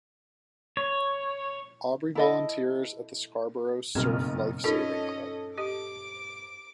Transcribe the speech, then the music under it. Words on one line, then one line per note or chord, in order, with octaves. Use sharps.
Aubrey volunteers at the Scarboro Surf Life Saving Club.
C#5
E4 A4 D#5
F#1 B1 G2 C4 F6
C#4 D#4 F4 A4 A#4 D#5 B6
G4 D#5 D6 D7